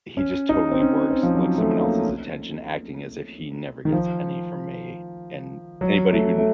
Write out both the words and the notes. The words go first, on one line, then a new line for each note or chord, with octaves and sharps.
he just totally works like someone else's attention, acting as if he never gets any from me, and anybody who kn
C#4
D#4
C4
C#4
C4
F3
F#3
A3
A#3
D#3
F3
F#3
A3
A3